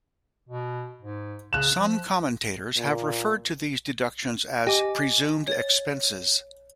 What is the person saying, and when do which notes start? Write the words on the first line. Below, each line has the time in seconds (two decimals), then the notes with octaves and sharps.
Some commentators have referred to these deductions as "presumed expenses".
0.49 B2
1.02 G#2
1.53 C#3 F#6 E7
1.76 F3
2.77 A#2
4.67 G4 D#5 G#5 D6
5.48 C#5 A6